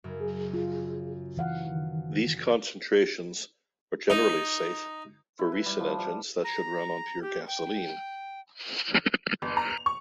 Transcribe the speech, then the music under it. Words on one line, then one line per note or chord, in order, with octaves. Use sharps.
These concentrations are generally safe for recent engines that should run on pure gasoline.
F#2 C#3
G#4
F4
E3 F5 F#5
D#3
D#4
E4
B4
G3
F3
G3
A#5
G4
G5
G1
A#5
F7
C#6